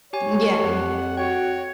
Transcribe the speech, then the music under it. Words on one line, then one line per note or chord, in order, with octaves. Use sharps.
M yeah,
G4 C#5 G#5
F2 G4 F#5
F#4 C#5 G5